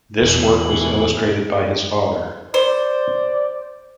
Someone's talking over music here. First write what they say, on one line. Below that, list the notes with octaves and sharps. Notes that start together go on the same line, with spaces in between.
This work was illustrated by his father.
E2 B2 E3 F#7
C5 D5